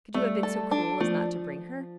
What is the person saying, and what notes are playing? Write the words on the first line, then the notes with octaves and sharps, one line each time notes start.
"Could you have been so cruel as not to bring her?"
G3 A3
A4
D4
F3 A3